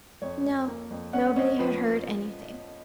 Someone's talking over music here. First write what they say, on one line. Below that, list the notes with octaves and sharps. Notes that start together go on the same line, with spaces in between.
No, nobody had heard anything.
F2 C#5
F2
A#3
F2
C#4 F#5
C#4 D#5
F3 B4